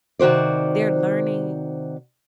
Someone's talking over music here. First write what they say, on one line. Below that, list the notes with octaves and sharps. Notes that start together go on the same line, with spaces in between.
They're learning
C3 D#3 F#4 C5 D5